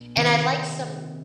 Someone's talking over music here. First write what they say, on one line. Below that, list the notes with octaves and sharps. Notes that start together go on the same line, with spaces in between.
and I'd like some
C3 D#3 C4 E5